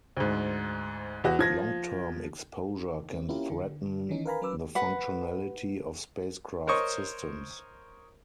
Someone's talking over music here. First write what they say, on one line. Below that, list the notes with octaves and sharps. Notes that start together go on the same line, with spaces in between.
Long term exposure can threaten the functionality of spacecraft systems.
D2 G#2
E2 F#4
F3 G#6 A#6
C4
A#3 C#4 E4 F4 G4 A#4
D3
D#3 E3 C#4 D#4
A#4 B4 F5 G#5 A#5 B5
F#3 C#4 B4 D6 E6
B4 F#5
A#4 C5 C#5 D#5 C#6